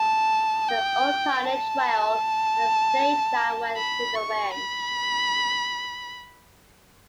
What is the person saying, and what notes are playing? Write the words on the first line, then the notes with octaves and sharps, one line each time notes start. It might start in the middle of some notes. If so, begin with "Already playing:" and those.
The old pioneer trail and the stage line went through their ranch.
Already playing: A5
G5
A5
B5
C#6
B5